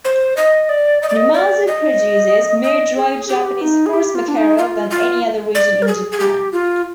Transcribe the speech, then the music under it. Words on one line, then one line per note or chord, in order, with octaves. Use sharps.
Numazu produces more dried Japanese horse mackerel than any other region in Japan.
C5
D#5
D5
D#5
D5
D#5
D5
D#5
D#5
G#4
G4
G#4
G4
D#4
G#4
G4
F4
D4
D#4
F4
F4
D5
A#4
G#4
G#4
G4
F4